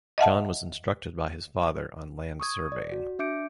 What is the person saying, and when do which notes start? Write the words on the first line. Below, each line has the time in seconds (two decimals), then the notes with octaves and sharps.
John was instructed by his father on land surveying.
0.18 D#5 E5 F#5 A5
2.40 C#6 D#6 G#6
2.72 D5
2.92 F#4
3.19 D4 E5 D6 G6 C#7 D7